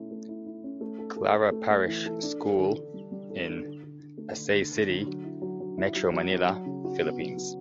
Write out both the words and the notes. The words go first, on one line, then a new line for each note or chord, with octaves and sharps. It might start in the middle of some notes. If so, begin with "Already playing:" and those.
Clara Parish School in Pasay City, Metro Manila, Philippines.
Already playing: B2 A3 C#4 E4
A3
E4
E4
C#4
A3
A4
A4
A4
A3
A3
E3
A4
D4
A4
D3
D3
G3
G3
A4
D4
D3
D3
D3
A3
D3
D3
D3
D3
F#3
E4
F#3
F#3
E4
F#3
F#3
F#3
F#3
C#3
F#4
B3
F#3
F#4